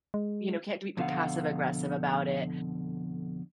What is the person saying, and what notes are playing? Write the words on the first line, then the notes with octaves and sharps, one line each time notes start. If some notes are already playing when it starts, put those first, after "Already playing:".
you know, can't do it be passive aggressive about it
G#3
F2 B2 D3 F5 F#5